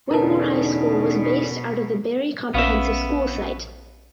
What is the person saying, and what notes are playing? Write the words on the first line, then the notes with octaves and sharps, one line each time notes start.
Whitmore High School was based out of the Barry Comprehensive School site.
E2 B2 D3 C#4 D#4 A#4 B4 A5
A#1 B3 C#4 E5 F5